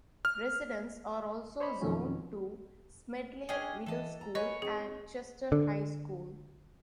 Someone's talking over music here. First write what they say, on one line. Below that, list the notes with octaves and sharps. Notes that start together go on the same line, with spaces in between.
Residents are also zoned to Smedley Middle School and Chester High School.
F6
C5 C#5 D#5 B5
F2 B2 D#3 F3 F#3 C#4
C#4 D4 G#4 C#5 D#5 G5
E3 A4 D#5 A5
A#5
B4 C#5 D#5 G#5
C4 D#4 G#4
D3